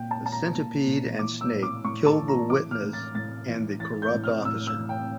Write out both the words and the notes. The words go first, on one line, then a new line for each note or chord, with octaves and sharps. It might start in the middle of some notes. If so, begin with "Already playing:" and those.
The Centipede and Snake kill the witness and the corrupt officer.
Already playing: A#2 G5
A5
A#2 A5
A#5
A#2
A#2
E3 D6
E6
A2
D6
A2 C#6
A5
E3
A#5
E3 D6
F6
A2
A6
A2 A6
E3
E3 A6
G6
A2
F6
A2 E6
E6
E3
G5